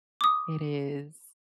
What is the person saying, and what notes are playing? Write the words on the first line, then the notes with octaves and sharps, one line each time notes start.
It is,
D6 D#6